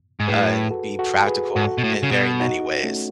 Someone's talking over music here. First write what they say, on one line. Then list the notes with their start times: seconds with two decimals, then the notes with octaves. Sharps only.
uh, and be practical in very many ways.
0.20 G#2
0.28 A2 G#4 B4
0.71 F#4 A4
0.99 F#4 A4
1.27 G#4 B4
1.55 G#2 F#4 A4
1.78 B2
1.84 A2
2.03 C#3
2.12 B2
2.40 D#4 F#4
2.83 A3 C#4